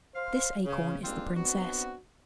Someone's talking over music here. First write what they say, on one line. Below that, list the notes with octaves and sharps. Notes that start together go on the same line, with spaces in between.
This acorn is the princess.
C5 F5
C#3
G#2 G3 A#3 C4 D4 F4
B3 C4 D4 F#4